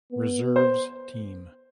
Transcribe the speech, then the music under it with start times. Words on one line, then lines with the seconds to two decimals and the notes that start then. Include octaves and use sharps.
Reserves team.
0.13 B3
0.56 C5